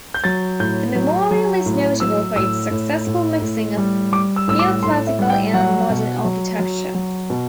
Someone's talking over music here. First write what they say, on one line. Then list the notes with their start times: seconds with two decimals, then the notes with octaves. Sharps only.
The memorial is notable for its successful mixing of Neoclassical and Modern architecture.
0.14 G6
0.24 F#3 A6
0.60 A2 G6
0.95 F#3
1.31 F#3
1.66 A2
2.00 F#3 E6
2.36 A2 E6
2.71 A2
3.07 A2
3.42 A2
3.78 G3
4.12 G3 D6
4.36 E6
4.48 A2 E6
4.59 D6
4.83 A2 C6
5.07 E5
5.19 G3 F#5
5.30 G5
5.53 F#3 F#5
5.90 B2
6.24 F#3
6.59 F#3
6.95 F#3
7.30 B2